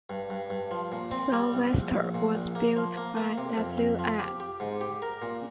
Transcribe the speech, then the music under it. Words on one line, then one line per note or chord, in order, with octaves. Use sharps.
"Salvestor" was built by Wm.
G2
G2
G2
F3
A#2
C4
G3
C2
A#1
A#1
A#2
A#1
A#3
F3
A#3
A#3
C3
F2
F2
F3
G4
G4
G#2
G4
A#4
A#2